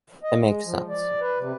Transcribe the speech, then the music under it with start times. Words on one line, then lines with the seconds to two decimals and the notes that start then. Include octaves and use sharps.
It makes sense.
0.23 D#5
0.43 G#3
0.65 F3
0.89 D5
1.21 B4
1.39 C3